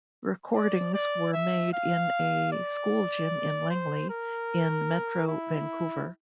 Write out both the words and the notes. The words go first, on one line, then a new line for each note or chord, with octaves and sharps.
Recordings were made in a school gym in Langley, in Metro Vancouver.
D5
D5
E5
F5
D5
C5
A#4
E4